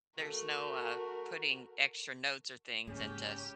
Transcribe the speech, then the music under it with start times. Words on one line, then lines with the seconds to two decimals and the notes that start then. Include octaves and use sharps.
there's no, uh, putting extra notes or things into s
0.20 A3 F#4 A#4
2.87 G#2 C#3 G#3 A#3 C#4 G4